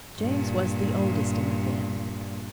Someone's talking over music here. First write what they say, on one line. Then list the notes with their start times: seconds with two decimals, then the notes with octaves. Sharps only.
James was the oldest in the family.
0.19 G2 A#2